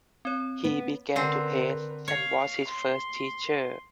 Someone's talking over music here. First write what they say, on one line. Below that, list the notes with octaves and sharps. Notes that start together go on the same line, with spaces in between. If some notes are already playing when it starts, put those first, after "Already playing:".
He began to paint and was his first teacher.
C4 C#5
B3
D3 C4 A#4 B4
C#5 F5
C6